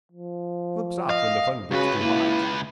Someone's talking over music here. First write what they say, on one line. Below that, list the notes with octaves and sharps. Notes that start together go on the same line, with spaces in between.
Slips off when the fun gets too hot.
F3
D#5 F5
C#2 C#3 F#4 B4
A#3 E4